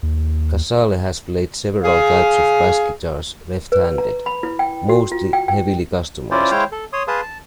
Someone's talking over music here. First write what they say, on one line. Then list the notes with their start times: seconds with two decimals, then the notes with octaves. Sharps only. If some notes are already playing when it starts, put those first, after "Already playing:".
Casale has played several types of bass guitars left-handed, mostly heavily customized.
0.03 D#2
1.84 G#4 F5
3.72 B4
3.98 A#5
4.26 B5
4.43 E4
4.59 G5
4.89 F#4
5.12 F4
5.33 G5
5.48 G5
6.31 C#4 E4 F4 C5 D5
6.51 G#3 E4 C5 C#5 F5 G5
6.72 A4
6.93 C#5 C6 D#6
7.08 G#4 B4 F5 A5 C6 D#6
7.22 A5